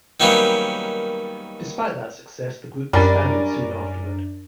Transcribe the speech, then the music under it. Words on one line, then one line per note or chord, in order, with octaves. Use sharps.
Despite that success, the group disbanded soon afterward.
D#3 F#3 G3 A#3 B3 C#4
F#2 G3 C#4 D4 A#4 D5